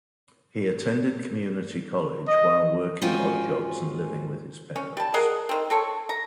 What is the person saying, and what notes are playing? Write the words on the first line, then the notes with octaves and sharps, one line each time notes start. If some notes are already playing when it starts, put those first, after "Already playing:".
He attended community college, while working odd jobs and living with his parents.
D#5
G#2 C#4 F4 F#4 G5 G#5
C#4
G3 A5
G#4 A#4 D#5 F#5
D#3 C4
C4 A4 C#5
A#5